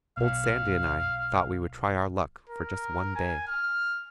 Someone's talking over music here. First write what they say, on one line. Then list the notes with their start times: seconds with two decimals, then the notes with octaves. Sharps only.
Old Sandy and I thought we would try our luck for just one day.
0.17 B1 F5
2.49 A#4
3.16 G#5
3.48 F6